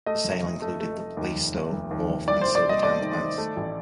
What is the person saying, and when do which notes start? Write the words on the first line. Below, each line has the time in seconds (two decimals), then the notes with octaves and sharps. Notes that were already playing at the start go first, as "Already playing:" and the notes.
The sale included the Plaistow Wharf and Silvertown plants.
0.06 A3 D#5
0.24 F1
0.43 F1
0.62 A3
0.80 A3
0.98 A3
1.17 D#2
1.36 F1
1.54 F1
1.72 F1
1.91 D#2
2.10 F1
2.28 C2 D5
2.41 C2 C5
2.55 D5
2.65 C2 D#5
2.83 A3 D5
3.01 D#3
3.20 D#3
3.38 A3
3.57 A1